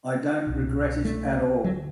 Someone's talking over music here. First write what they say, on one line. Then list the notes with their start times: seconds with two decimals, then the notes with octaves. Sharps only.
I don’t regret it at all.
0.47 C2 B2
1.05 A3
1.64 D2 F#3
1.67 D3